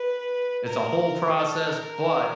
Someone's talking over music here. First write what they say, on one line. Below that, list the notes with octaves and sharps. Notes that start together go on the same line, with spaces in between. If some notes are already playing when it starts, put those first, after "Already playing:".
It's a whole process. But,
Already playing: B4
A#4
A4
A#4